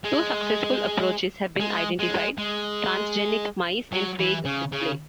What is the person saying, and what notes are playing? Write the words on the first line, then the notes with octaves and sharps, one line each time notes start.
Two successful approaches have been identified: transgenic mice and phage display.
G#3
G#3
G#3
G#3
F#3
E3
C#3
C#3